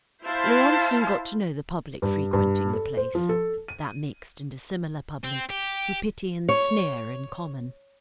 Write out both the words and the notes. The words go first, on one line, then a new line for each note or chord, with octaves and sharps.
Laurent soon got to know the public frequenting the place, that mixed and dissimilar public who pity and sneer in common.
E4 C5 F5 A5
G2
G2
A4
C5
F3
A4
D#7
C4
G4
C#5